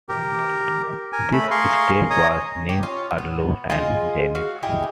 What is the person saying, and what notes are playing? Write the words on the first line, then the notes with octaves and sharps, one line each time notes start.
The strip was named Arlo and Janis.
G4 A#4
A#4 G#5
A3 B5
G#4 A#4 F5 C6 C#6
C#5 D#5 G#5 A#5 D#6
G4
C#4 F4
B3
G#3 F4 G#4 D#5
F#4 F5
E4 G4 G#4 D#5